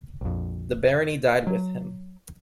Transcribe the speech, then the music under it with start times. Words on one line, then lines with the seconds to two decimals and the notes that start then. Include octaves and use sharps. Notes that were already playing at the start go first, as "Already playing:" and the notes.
The barony died with him.
0.21 A#1 F2
1.47 F#3